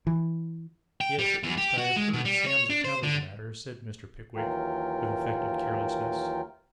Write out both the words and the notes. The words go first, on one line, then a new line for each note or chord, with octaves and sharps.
'Yes; at least I have heard Sam's account of the matter,' said Mr. Pickwick, with affected carelessness.
E3
G5
G3
E2
G4
F#4
G#3
B2
G3
C#5
D4
C5
D3
D#2 E3 F#3 F4 A#4 G5